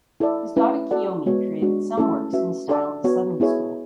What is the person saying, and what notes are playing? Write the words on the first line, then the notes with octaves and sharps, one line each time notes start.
His daughter Kiyomi created some works in the style of the Southern School.
E4 A4 D5
A3 C#4 E4 B4
F#4 A4 D5 F#5
G#3 B3 F#4 C#5
G#3 D4 F#4
A3 C#4 E4 A4
C#4 F#4 B4 E5
D4 A4 D5 F#5
B3 F#4 C#5
B3 E4 G#4 C#5